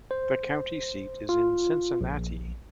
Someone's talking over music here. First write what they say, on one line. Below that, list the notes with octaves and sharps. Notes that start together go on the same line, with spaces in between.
The county seat is Cincinnati.
C5
F4
A#1